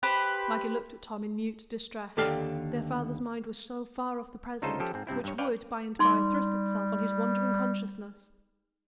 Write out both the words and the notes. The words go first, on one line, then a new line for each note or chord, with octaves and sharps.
Maggie looked at Tom in mute distress, their father's mind was so far off the present, which would by-and-by thrust itself on his wandering consciousness!
G4 B4 C5
D#2 D3 G4 A4 F5
D2 C#3 D#4 F4 A4 C5
F3 C#4 G4 A4
G#2 C4
G2 C3 C4 E4
G2 C#5
B4 C#5 D5 F5 G5
G3 D#4 C6 D6